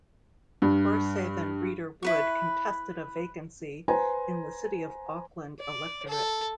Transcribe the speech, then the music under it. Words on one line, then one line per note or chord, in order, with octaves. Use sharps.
Forsaith and Reader Wood contested a vacancy in the City of Auckland electorate.
G2
E4 B4 C#6
B4 C5 G#5 A#5
D5
A4